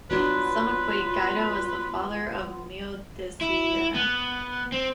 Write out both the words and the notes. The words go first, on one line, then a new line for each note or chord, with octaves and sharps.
Some equate Guido as the father of Meo di Siena.
F#3 B3 D4 F4 B4
E4
B3
C4